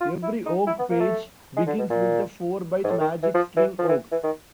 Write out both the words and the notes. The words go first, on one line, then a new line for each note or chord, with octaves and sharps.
Every Ogg page begins with the four-byte magic string "OggS".
F4
E4
D#4
E4
B3
A#3
A3
G#3
D3
B2
A#2
G#2
A2
D#3
E3
F3
E3
F3
E3
E3
D#3